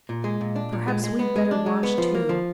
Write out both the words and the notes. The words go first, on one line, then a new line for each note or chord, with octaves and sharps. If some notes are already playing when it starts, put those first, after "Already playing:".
Perhaps we'd better wash too.
A#2
G#3
A#2
D4
A#2
G#3
G#3
B3
G#3
D4
G#3
B3
F3
A#3
F3